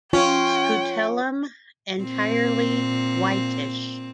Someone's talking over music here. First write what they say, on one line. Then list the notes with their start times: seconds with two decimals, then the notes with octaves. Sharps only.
Scutellum entirely whitish.
0.13 C#4 F4 G5
2.00 A#2 C4